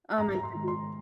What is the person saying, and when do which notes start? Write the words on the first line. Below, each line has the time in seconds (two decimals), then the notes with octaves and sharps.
Oh my goodness.
0.18 G#2 A#5
0.38 A#5
0.43 C6
0.55 D#3 G#3
0.68 C6